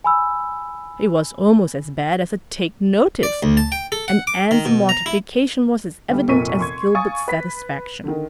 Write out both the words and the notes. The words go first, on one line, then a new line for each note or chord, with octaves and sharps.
It was almost as bad as a take-notice and Anne's mortification was as evident as Gilbert's satisfaction.
G#5 B5 E6
D5
D2
A5
G5
A4
F#5
D6
D#3
B2
A#5
E4
D2 G3
F1 A#2 A#3 C#6 B6 D#7
C6 C#6 G#6
F5 G#5 C#6 D#6 A6
B4 B6
D3 D#3